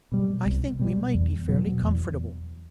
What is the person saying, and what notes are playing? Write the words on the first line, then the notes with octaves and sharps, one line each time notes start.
I think we might be fairly comfortable.'
B2 G3
C2
B2 G3
E2
B2 F#3
E2